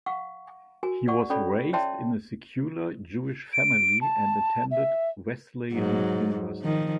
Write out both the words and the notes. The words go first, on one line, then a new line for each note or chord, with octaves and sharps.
He was raised in a secular Jewish family, and attended Wesleyan University.
F5 F#5 C#6
F#4 A#4 G#5
D5 F#5 C#6
C#4 A4 C#5 D5 B5
C#5 D5 E5 G5 A5 C6
D7
A5
E5
G#2 F#3
D#3 F3